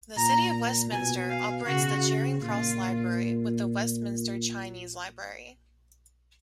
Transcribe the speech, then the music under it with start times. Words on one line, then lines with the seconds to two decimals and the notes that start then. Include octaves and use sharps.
The City of Westminster operates the Charing Cross Library with the Westminster Chinese Library.
0.17 A#2 A#5
0.92 B2 G#5
1.29 F5
1.67 C#3 F#4
2.42 A#2 F4